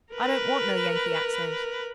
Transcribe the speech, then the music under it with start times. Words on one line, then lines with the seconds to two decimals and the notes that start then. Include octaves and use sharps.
I don't want no Yankee accent.
0.14 A#4 B4